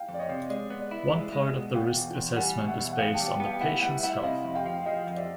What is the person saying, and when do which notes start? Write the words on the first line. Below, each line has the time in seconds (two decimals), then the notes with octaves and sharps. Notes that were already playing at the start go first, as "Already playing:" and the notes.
One part of the risk assessment is based on the patients' health.
Already playing: F5 G5
0.09 F2
0.14 D5
0.19 C#5 D#5
0.29 C3
0.50 G#3 D5
0.70 B3
0.81 D5
0.91 E4
1.12 G#3 D5 E5
1.32 G#3
1.53 B2
1.74 B2 F5 G5
1.95 E2
2.16 E2
2.36 G3 F#5 G#5
2.58 B2
2.68 E5 F#5
2.78 E2
2.93 F#5
2.98 B3 F5 G5
3.14 G5 A5
3.20 G3
3.40 B3
3.46 F5 G5
3.61 E4 E5 F#5
3.82 G3 E5 F#5
4.02 E4 E5 F#5
4.23 C3 D#5 F5
4.44 F2
4.55 F5 G5
4.66 F3
4.86 F3 D#5 F5
5.07 F2
5.17 D5 E5